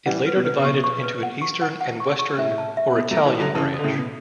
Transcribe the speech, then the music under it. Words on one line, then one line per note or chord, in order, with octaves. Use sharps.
It later divided into an Eastern and a Western, or Italian, branch.
E3 G3 F#5
B4
B2
B4
C#3
B2 C#6
C#6
B4
F#5
C#6
F#5
F#5
C#6
C#6
A2 E5
A5
E5
B2 A4
F#3 A3
A5
E3 G3
D3 F#3 A4
C#3 E3 A5
D3 A4
A2 C#3
B2 A4